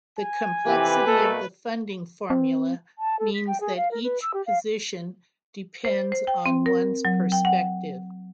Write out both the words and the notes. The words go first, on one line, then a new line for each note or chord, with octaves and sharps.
The complexity of the funding formula means that each position depends on one's perspective.
G#5
F2 C3 E3 G4 B4
B2 A3 A#3 A4
C4
A5
A4
B6
G5
G#4
F5
A#4
B4
E6
G4
F5
C5
C5
G5
C4
A#4
F#3
G5
F#5